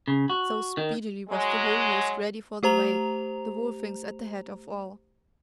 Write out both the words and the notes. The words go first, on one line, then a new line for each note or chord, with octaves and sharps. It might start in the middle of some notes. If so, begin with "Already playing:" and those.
So speedily was the whole host ready for the way, the Wolfings at the head of all.
C#3
F#4
D#3
F#3 G#3
A3 G4 C5 A#5 F7